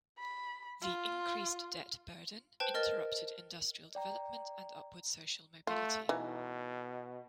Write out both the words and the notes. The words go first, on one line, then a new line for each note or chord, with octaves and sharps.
The increased debt burden interrupted industrial development and upward social mobility.
B5
F4
B4 C5 G5 A5
A#4 D#5 F6 A6
D5 G5 A#5
A3 F4
B2 E3 D#4